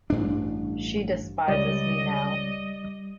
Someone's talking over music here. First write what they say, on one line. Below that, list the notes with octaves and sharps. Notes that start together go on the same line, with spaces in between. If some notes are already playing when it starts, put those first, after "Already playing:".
She despises me now.
A1 G2 D4
C#2 G3 D5 D#5